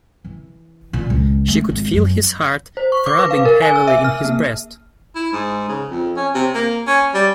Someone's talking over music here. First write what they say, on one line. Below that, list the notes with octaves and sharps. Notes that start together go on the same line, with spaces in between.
She could feel his heart throbbing heavily in his breast.
E3
A#2
C#2
A3
G#1
F#2
C5
C#6
D6
B4
F5
A#4
G#5
E6
E5
F6
A#3
E4
G#2
C#3
F2
C#4
C3
A#3
C#4
G3